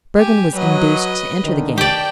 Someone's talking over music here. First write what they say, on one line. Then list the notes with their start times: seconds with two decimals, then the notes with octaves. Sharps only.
Bergmann was induced to enter the game.
0.18 G4 G#5
0.55 F#3 B4 D#5
1.44 D2 D3 D#3
1.78 G4 D5 G5 A5